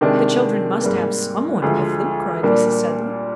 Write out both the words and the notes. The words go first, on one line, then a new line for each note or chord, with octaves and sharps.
"The children must have someone with them," cried Mrs. Sedley.
C3 D#3 G#3 D4
G#2 G3 A#3
D2 D3 F3 G#3
A#2 G3 A#3 D4